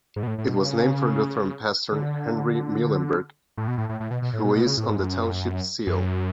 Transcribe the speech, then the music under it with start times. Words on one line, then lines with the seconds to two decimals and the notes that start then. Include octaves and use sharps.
It was named for Lutheran pastor Henry Muhlenberg, who is on the township seal.
0.16 G#2
0.23 B2
0.27 A2
0.38 A2
0.49 B2
0.60 C#3
1.92 D3
3.57 A2
3.68 B2
3.78 A2
3.89 A2
4.00 A2
4.11 B2
4.22 B2
4.33 A2
4.44 B2
4.56 B2
4.66 C#3
4.77 A2
4.88 G#2
4.99 F#2
5.87 F#2